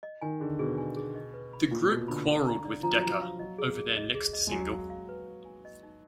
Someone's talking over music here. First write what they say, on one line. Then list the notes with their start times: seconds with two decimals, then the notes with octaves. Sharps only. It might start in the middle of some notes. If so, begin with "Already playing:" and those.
The group quarrelled with Decca over their next single.
0.03 D#5
0.21 D#3 G#5
0.40 D3 G#4
0.59 B2 G#4
0.78 G#5
0.96 G#4
1.15 D#5
1.34 B4
1.53 B5
1.71 A#2 D#5
1.90 B2 D#5
2.08 D3 B5
2.27 F5
2.46 A#5
2.65 D5
2.83 F3 A#5
2.95 F#3
3.02 F3 A#5
3.21 F5
3.39 F#3 D#5
3.58 G#4
3.78 G#4
3.97 D#5
4.15 G#4
4.33 D#5
4.47 G#3
4.52 F#3 G#5
4.71 F5
4.90 F5
5.09 B4
5.27 B4
5.45 G#5
5.65 D#5
5.83 D#4